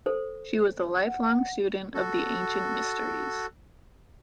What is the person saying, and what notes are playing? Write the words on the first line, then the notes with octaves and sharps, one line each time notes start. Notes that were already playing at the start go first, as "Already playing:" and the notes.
She was a lifelong student of the ancient mysteries.
A4 C5
F#5
F#4 A4